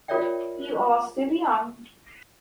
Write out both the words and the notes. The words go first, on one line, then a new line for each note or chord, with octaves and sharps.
You are still young.
F4 A#4 C#5 D5 E5 G5